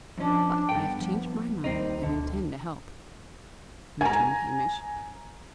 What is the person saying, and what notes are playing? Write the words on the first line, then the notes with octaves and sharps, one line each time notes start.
"But I have changed my mind, and intend to help," returned Hamish.
F2 F3 C#4 D4
G2 B3 A4 G5
F3
D#2 G3 C4 D#4
D2 B2 D3
G#5 A#5